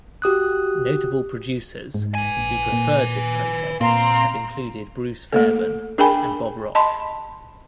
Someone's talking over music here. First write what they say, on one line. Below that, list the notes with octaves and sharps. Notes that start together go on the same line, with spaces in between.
Notable producers who preferred this process have included Bruce Fairbairn and Bob Rock.
F#4 G4 D#6 F#6
G#2
B4 G#5
A#1
A#2
A#2 C4 F5 A#5 C6
A3 A#3 A4
D4 G#4 A#4 G5 G#5 B5
D#5 A5 B5 C6